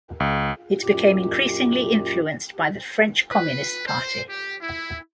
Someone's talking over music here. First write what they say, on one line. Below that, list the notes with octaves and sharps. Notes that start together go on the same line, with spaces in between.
It became increasingly influenced by the French Communist Party.
C#2
F#2 A#2 G4
B4
C5
G4
E4